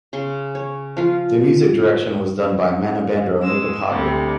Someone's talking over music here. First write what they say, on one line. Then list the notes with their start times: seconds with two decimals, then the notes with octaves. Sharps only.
The music direction was done by Manabendra Mukhopadhyay.
0.13 C#3 C6 C#6
0.55 C#5
0.97 F3 F4
3.41 G#3 E6
3.89 D2 C3 G3